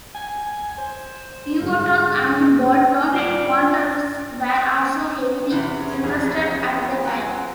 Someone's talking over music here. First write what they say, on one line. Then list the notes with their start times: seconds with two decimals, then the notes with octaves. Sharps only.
Everton and Bolton Wanderers were also heavily interested at the time.
0.15 G#5
0.78 C5
1.60 G#2 D3 G#3 F5
3.14 F4 D5 F#5
5.13 B3
5.50 E2 C3 E3 C#4 G#4
6.03 C2 F2
6.49 B3 F4
7.05 F#3 C4 G#5 A#5